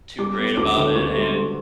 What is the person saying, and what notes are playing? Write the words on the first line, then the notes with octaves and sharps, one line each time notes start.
too great about it, and
G3 D6
B3
D2 D6
D3
D2 C#6
G3
C6
G3